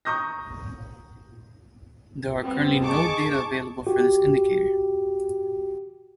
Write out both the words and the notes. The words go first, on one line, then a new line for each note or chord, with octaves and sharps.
There are currently no data available for this indicator.
A#5 C#6 D#6 G6 A#6
G3 B3 C4
D#4 G#4 A5 C#6 D6
F#4 G4